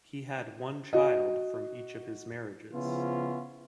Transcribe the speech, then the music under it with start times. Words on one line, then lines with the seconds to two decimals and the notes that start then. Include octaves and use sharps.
He had one child from each of his marriages.
0.93 F#4 D#5
2.73 C#3 F3 B3 C#4 E4 F4